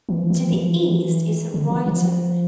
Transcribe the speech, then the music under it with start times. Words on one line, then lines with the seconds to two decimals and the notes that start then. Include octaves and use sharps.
To the east is Ryton.
0.09 E3
0.19 F3
0.30 E3
0.41 F3
0.52 E3
0.63 F3
0.74 E3
0.84 F3
0.95 E3
1.54 D3
1.70 E3
1.87 F3